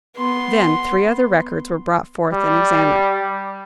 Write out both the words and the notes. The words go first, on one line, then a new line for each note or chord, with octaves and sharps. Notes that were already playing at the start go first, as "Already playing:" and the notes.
Then three other records were brought forth and examined.
B3 C6
G3